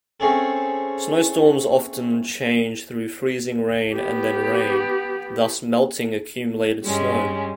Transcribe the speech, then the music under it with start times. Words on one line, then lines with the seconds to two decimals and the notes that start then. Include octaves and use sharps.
Snowstorms often change through freezing rain and then rain, thus melting accumulated snow.
0.20 A3 C4 C#4 G#4 A4
3.93 B3 G4
6.84 G2 G3 G#3 C#4